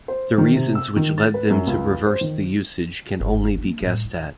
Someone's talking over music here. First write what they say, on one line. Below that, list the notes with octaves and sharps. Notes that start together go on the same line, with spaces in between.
The reasons which led them to reverse the usage can only be guessed at.
C5
D#3
C3
E6
D#3
A6
B4
F#2
C#2
C5
D#3
G1
A#3 D4
A2 G3
F4